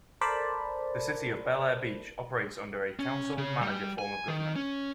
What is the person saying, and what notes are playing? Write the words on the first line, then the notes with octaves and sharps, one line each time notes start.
The City of Belleair Beach operates under a Council-Manager form of government.
A4 A#4 C5 D5 A5 B5
C#4
C#3
G3
G#5
D#3
C#4